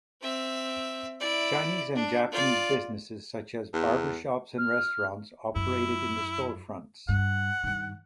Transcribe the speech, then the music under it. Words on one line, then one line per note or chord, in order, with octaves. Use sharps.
Chinese and Japanese businesses such as barbershops and restaurants operated in the storefronts.
C4 E5
E4 D5
D4
F4 D5
E2
F6
F#2 E4
G2 F#5
G2 D#3